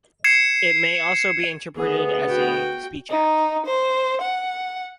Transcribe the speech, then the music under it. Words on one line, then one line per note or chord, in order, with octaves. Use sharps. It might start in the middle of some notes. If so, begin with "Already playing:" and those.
It may also be interpreted as a speech act.
G#6 C7 C#7 E7
D2 B3 G#4
F#4 G5
D#4
C5
F#5